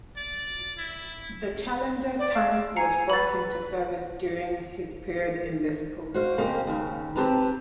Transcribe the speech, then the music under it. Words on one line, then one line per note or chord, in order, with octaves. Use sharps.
The Challenger tank was brought into service during his period in this post.
D5
E4
D5
F5 E6 F6
G#5 A#5 C7 C#7
B4 B5 A6
F#4 C5 F5
F2 C#3 A#3 G4 C5
D#2 C#3
C4 G4 B4 A5 A#5